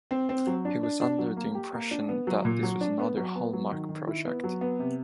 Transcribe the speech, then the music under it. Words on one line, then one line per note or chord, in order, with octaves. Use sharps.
He was under the impression that this was another Hallmark project.
C4
C4
F#3
D4
D4
D4
F#3
A#3
G4
A#3
D4
B3
F#3
A#2
F#3
D4
B3
F#3
B3
F#3
D#3
D#3
E4
B3
F#3
B3
C3